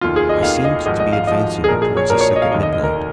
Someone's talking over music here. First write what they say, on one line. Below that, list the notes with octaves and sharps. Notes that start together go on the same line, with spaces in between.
I seemed to be advancing towards a second midnight.
F1 D#2 D#3 F4
G#4
D#5
F1 D#2 D#3 F5
D#5
G#1 G#2 F3 D#5
D#5
F5
G#1 G#2 F3 D#5
G#4
A#1 A#2 F3 A#4
G#4
C#5
A#1 A#2 F3 A#4
C#5
D#5
F5
F1 D#2 D#3 D#5
D#5
D#5
A#4
D#3